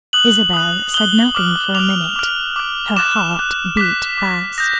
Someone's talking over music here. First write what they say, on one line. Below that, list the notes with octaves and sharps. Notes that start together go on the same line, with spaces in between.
Isabel said nothing for a minute; her heart beat fast.
D#6 F#6 F#7
D#6 F#6
D#6 F#6 G7
D6 F6
D6 F6 F7
D6 F6
D6 F6
D6 F#6 E7
D6 F#6
D6 F#6 B6
D6 F#6
D#6 G6 A#6